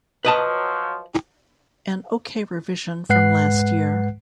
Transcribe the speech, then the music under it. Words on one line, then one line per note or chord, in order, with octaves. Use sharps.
An okay revision from last year.
F3 F#3 B4 D#5 A5
G#2 G#3 B4 F#5 F#6 C7